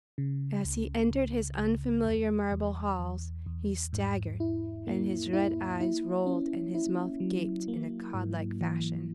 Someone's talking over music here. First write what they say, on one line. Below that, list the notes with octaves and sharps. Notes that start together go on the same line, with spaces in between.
As he entered his unfamiliar marble halls he staggered, and his red eyes rolled and his mouth gaped in a cod-like fashion.
C#3
C#2
C#2
C#2
E2
E2
E2
E2
G#2
E4
A#3
E4
E4
C#4
E4
F#3
A#3
G#2
E3